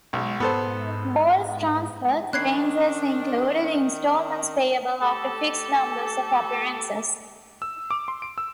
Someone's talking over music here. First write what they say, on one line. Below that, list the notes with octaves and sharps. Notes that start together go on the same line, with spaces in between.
Ball's transfer to Rangers included instalments payable after fixed numbers of appearances.
B1 G#3
G#2 B3 A4 C5
D#3 C#4 D4 B5 F#6 G#6 C7
A3 G4 A4
E6
D6
C6
D7
E6